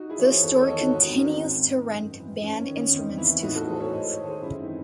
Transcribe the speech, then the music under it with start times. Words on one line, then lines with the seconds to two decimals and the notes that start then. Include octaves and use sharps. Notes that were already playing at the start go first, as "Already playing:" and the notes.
The store continues to rent band instruments to schools.
Already playing: D#4 F#4
0.10 E4 G#4
0.18 E3 C#5
0.26 G#4 C5
0.43 E2 A4 C#5
0.56 A4 C#5
0.62 D#5
0.68 D#3 A4 C#5
0.80 D#4 F#4
0.93 G#2 D#4 F#4
1.06 C4 D#4
1.18 D#3 C#4
1.31 C4
1.44 G#2
1.68 D#3
1.94 F#2
2.18 E3
2.43 G#2 C#4
2.59 C#4
2.68 D#3
2.77 C#4
2.92 E2 C4 D#4
3.17 C#3 E3 C#4 E4
3.42 A2 D#4 F#4
3.55 F#4 A4
3.67 E3 G#4 C5
3.80 A4 C#5
3.92 G#2 C5 D#5
4.09 A4 C#5
4.18 D#3
4.26 G#4 C5
4.42 F#2 E4 G#4
4.59 C4 D#4
4.67 E3